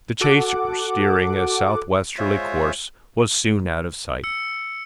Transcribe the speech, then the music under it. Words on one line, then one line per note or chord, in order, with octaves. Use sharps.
The chaser, steering a south-westerly course, was soon out of sight.
F#4 A4 F#5 D6
G#3 F4 C5 C#5 E5
E6 C#7